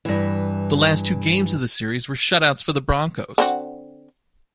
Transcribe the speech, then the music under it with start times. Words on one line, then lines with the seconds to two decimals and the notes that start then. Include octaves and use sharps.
The last two games of the series were shoutouts for the Broncos.
0.05 G2 E3
3.38 D3 C4 F#4